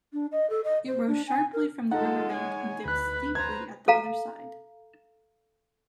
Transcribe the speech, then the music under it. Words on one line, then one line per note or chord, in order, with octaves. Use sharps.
It rose sharply from the riverbank and dipped steeply at the other side.
D4
D#5
A4
D#5
C5
D4
G#5
A#4
G#3 D#4 F4 A4 F#5
C#5 G#5
D2 B4 B5 F#6
B4 C5 A#5 G#6
A4 F5 A#5